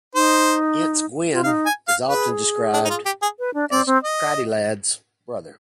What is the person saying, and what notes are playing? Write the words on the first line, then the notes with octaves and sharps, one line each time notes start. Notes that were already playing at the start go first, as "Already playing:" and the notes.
Hence, Gwyn is often described as Creiddylad's brother.
D#4 C5
F4
D#4 F5
G#5
F5
G#4 B4
D4
D#4
F4
G4
G#4
B4
D4
C4 D5
C4
D#5